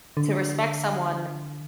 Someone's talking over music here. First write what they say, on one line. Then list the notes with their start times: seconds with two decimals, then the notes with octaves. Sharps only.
to respect someone
0.17 D3